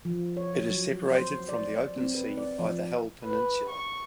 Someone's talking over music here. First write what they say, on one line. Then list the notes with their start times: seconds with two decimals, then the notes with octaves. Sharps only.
It is separated from the open sea by the Hel Peninsula.
0.05 F3
0.37 C#5
0.69 F#3
1.15 C5
1.49 D5
1.96 C4
2.15 B4
2.37 D5
2.59 F3
3.24 B4
3.70 C#6